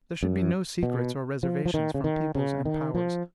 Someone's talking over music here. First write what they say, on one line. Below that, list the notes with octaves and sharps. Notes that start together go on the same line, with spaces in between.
There should be no secrets or reservations from peoples and powers.
F#2
B2
F3
F3
D#3
C#3
D#3
C#3
D#3
F3